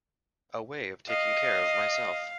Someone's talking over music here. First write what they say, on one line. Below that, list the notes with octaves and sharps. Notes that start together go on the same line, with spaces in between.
A way of taking care of myself.
D#5 F5